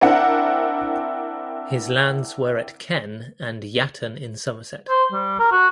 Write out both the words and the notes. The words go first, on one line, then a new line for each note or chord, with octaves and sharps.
His lands were at Kenn and Yatton in Somerset.
C4 D4 E4 A#4 F#5
C5
G3
A#4
F#4